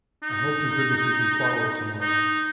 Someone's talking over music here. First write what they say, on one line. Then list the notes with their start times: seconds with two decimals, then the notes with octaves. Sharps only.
I hope to goodness we can follow it to-morrow.
0.23 D#4
2.01 D#4